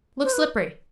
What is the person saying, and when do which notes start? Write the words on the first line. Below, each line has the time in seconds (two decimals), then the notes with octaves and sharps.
Look slippery.
0.24 C5
0.33 B4